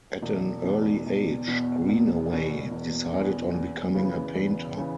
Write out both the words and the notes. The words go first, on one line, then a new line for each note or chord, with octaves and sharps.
At an early age Greenaway decided on becoming a painter.
E1
E2 B2
E1
E2 B2
E1
E2 B2
E1
E2 B2
E2
C#3 E3 B3
E2
C#3 E3 B3